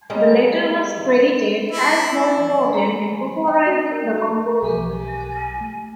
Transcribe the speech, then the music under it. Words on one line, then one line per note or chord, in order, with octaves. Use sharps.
The latter was credited as more important in popularizing the composer.
G3 G#3 C#4 D#4
E4
D#5
A#5
B5
G#5
G5
F#4
A#4
E5
B1 G4 G#5
A3